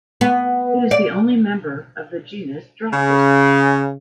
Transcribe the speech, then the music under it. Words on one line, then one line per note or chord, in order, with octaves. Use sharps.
It is the only member of the genus "Deroptyus".
B3
D5
C#3